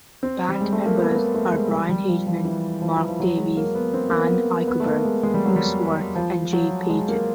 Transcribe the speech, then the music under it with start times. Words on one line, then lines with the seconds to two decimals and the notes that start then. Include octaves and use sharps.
Band members are Brian Hageman, Mark Davies, Anne Eickelberg, Hugh Swarts and Jay Paget.
0.23 C4
0.49 G3
0.61 G#3
0.73 A3
0.86 A#3
0.97 B3
1.15 A#3
1.35 A3
1.53 G#3
1.71 G3
1.89 G3
2.09 F3
2.27 F3
2.45 E3
2.82 F3
2.97 E3
3.09 F3
3.20 F#3
3.37 G#3
3.57 A#3
3.75 B3
3.94 C4
4.10 A#3
4.18 B3
4.67 B3
4.80 A3
4.86 A#3
5.05 G#3
5.23 G#3
5.34 G3
5.45 F#3
5.56 G3
6.15 F3
6.53 F#3
6.90 G#3
7.08 A#3